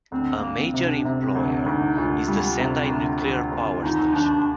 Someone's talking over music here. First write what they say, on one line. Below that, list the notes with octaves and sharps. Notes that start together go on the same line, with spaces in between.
A major employer is the Sendai nuclear power station.
D2 C4
A#3
D2
C4
C3
D4
C3 C4
D2 C4
D2 D#4
D2 F4
G3
C3
D2
D2
D2
D#2 D#4
D#2 D4